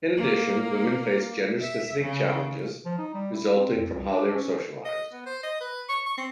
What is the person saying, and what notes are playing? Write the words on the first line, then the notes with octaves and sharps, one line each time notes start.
In addition, women face gender specific challenges resulting from how they are socialized.
A#3
E5
C#3
F3
D#4
G3
E4
C4
F2
C2
D4
C#4
D#5
B3
C5
D#5
B4
C#6
C#6
C4